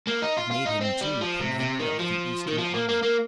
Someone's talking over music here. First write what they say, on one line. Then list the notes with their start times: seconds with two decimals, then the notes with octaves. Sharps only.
It made him, too, commander of the Eastern army.
0.08 A#3
0.23 D#4
0.38 F4
0.51 F4
0.66 D#4
0.81 C4
1.01 G3
1.21 F3
1.40 C3
1.60 C3
1.79 D#3
2.00 F3
2.48 D#3
2.58 F3
2.74 A#3
2.89 A#3
3.03 A#3